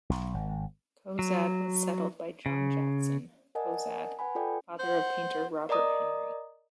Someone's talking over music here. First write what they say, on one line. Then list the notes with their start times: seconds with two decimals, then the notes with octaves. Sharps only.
Cozad was settled by John Jackson Cozad, father of painter Robert Henri.
0.10 B1
0.34 G#1
1.19 F#3
2.46 C#3
3.55 A#4 D5 D#5 F#5 G#5 A5
4.19 B4 F#5 G#5 B5
4.35 F4 A4 D5 G5
4.79 C5 F#5
5.69 A#4 D5 D#5 A#5 D#6